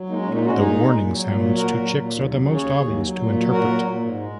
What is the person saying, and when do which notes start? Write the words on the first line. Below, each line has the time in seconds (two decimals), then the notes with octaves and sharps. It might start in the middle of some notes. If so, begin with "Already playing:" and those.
The warning sounds to chicks are the most obvious to interpret.
Already playing: F#3
0.09 G#3 A#3 D#4
0.22 C#4
0.26 A#2
0.34 A#3 D#4
0.42 G#3 C#4 F#4
0.58 A#2 D#4 G#4
0.75 G#3
0.91 A#2
1.07 F#3
1.24 A#2
1.40 F#3
1.56 A#2 F#4 A#4
1.72 F#3
1.88 A#2
2.05 D#2
2.21 F#3
2.38 C#3
2.54 D#2 G#4 C#5
2.70 D#2
2.86 F#3
3.03 F#3
3.19 A#2
3.35 F#3
3.51 A#2 F#4 A#4
3.68 F#3
3.83 A#2
4.00 G#2
4.17 G#3